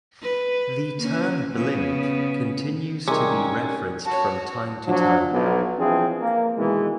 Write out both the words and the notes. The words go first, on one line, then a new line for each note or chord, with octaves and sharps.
The term "Blimp" continues to be referenced from time to time.
B4
A#3 C#4
C#3 B3
C3 G3 C#4 D#4 G#4 A#4 C#5
F#4 C#5 A5
F3 F#3 D4
B1
E3 F3 C4 D4 F4 G#4
A#3
B2 D#3 E3 G#3